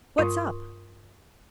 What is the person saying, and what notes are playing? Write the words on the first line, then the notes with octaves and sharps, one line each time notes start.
What's up?
G2 F4 A#4 C6 C#6 D#6